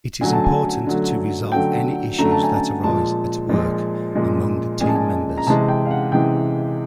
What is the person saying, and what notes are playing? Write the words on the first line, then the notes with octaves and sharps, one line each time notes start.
It is important to resolve any issues that arise at work among team members.
D3 F#3 A3 G#5
A5
G#5
D3 F#3 A3
D3 F#3 A3 G5
D3 F#3 A3 A#5
A5
G#5
A5
A#2 F3 G#3 A5
A#2 F3 G#3
A#2 F3 G#3
A#2 F3 G#3 G#5
A5
G#5
A#5
C3 E3 G#3 A5
G5
F5
F#5
C3 E3 G#3 G5